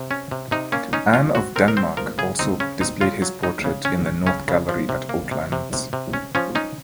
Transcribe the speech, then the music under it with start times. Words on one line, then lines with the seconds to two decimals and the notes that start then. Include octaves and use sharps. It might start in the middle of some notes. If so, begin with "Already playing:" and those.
Anne of Denmark also displayed his portrait in the north gallery at Oatlands.
Already playing: C3
0.11 C#4
0.31 C3
0.51 C3 D#4
0.72 A#3 C#4
0.93 C#4 D#4
1.14 C#4 F4
1.35 C4 F#4
1.56 C4 A#4
1.68 A#4
1.77 C4 C5
1.97 F3 A#4
2.18 C#3 G#4
2.39 C4 D#4
2.60 C#3 C#4
2.80 C4 D#4
3.01 C#3 F4
3.22 F#3
3.43 F#3 D#4
3.64 C#3
3.85 C#4
4.06 C#4
4.27 C#3 C#4
4.48 C#3
4.69 F3
4.89 C3
5.09 A#3
5.31 C3
5.52 C3
5.73 C3
5.93 C3
6.13 C#4
6.35 F3 C#4
6.55 C#4 D#4